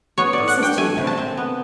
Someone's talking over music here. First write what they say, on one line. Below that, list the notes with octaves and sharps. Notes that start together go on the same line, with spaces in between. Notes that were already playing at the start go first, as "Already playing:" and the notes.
This is too bad!
B3 C#5
A2 D5
F#5
D4
G5
A3 G#5
C3
A5
C4
B3